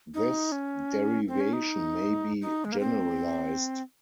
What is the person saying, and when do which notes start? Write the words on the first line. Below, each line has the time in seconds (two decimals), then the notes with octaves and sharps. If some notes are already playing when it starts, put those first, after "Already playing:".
This derivation may be generalized.
0.14 D#4
0.52 C#4
1.28 C4
1.40 C#4
1.53 D#4
2.41 D#4
2.65 G#3
2.72 A#3
2.79 C4